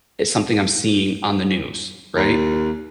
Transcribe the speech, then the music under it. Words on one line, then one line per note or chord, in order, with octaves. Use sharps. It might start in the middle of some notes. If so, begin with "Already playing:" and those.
it's something I'm seeing on the news, right?
D#2